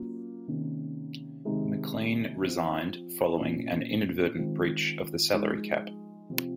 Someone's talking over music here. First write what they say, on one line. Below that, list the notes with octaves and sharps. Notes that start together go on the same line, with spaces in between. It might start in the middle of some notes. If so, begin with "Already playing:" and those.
McLean resigned following an inadvertent breach of the salary cap.
Already playing: F#3 A#3 C#4 F4
C3 D#3 A#3 C#4
C3 D#3 G#3 D#4
F3 C4 F4
A#2 F#3 C#4 F4
D#3 G#3 C4 F4
F3 G#3 D#4
C3 F3 C4 F4